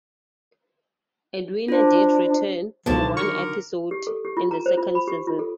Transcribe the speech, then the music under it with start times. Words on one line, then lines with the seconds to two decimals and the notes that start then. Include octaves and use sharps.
Edwina did return, for one episode, in the second season.
1.68 D4 F4 C5
2.86 C#2 B2 D3 D#3 F3 F#3 A5
3.17 A#4 C#6 C#7
3.91 G4
4.07 A4
4.25 G4
4.37 F4
4.51 A#5
4.66 C5
4.77 F4
4.95 B5
5.08 G4
5.27 F4
5.39 A4